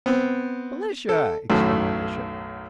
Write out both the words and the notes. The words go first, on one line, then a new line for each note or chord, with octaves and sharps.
"Felicia!" exclaimed the Bishop.
B3 C4
A4
B1 F#2 A2 D#3 A3